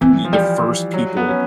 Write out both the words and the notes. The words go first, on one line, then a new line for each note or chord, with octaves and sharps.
e the first people
E3 C4
F#3
F3
G3
F#3
B3
C#4